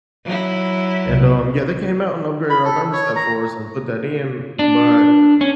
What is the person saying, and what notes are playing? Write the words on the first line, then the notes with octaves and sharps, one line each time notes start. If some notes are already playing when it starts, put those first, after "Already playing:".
and, um, yeah, they came out and upgraded our thermostat for us and put that in, but,
F#3 E4
C2
B5
A4
C#5
A#5
D4
C#4